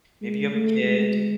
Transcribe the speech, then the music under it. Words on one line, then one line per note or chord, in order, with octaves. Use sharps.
maybe you have a kid,
G#3
A3
G#3